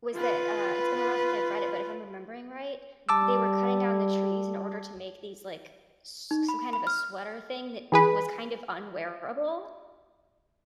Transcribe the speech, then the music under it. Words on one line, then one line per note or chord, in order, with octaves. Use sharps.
was that, uh, it's been a while since I've read it, but if I'm remembering right, they were cutting down the trees in order to make these, like, s some kind of a sweater thing that was kind of unwearable.
F4 B4
G3 A5 D6 E6
D#4
B5
B5
F6
E3 G#4 B4